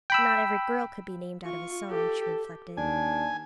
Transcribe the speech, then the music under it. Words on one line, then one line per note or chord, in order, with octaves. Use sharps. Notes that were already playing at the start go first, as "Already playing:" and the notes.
Not every girl could be named out of a song, she reflected.
G5 B5 E6
F4 C#6
G4 A4
D#2 D4 G#5